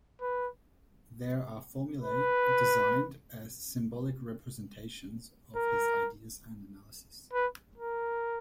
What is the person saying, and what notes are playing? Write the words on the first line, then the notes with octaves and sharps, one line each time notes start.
They are formulae, designed as symbolic representations of his ideas and analyses.
B4
B4
A#4
B4
A#4